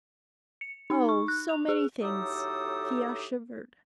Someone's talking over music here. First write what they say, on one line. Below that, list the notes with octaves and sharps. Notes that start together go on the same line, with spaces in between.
"Oh--so many things!" Thea shivered.
C#7
D#4
C#6
F#6
F7
G#4
A2 F#3 D#4 G4 A4 D#6